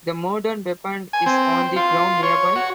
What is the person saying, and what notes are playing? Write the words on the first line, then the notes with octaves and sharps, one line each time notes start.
The murder weapon is on the ground nearby.
G#5
C4
F4
C#5
F#4